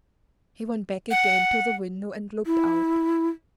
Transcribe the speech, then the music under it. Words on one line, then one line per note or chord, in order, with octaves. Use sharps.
He went back again to the window and looked out.
F#5
E4